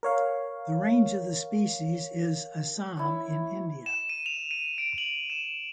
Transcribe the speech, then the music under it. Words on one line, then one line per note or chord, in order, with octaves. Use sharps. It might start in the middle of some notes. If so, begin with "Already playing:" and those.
The range of the species is Assam in India.
A#4 C#5 F5
E4 C#5
E7
D#7
F7
D#7
D7
F#7
E7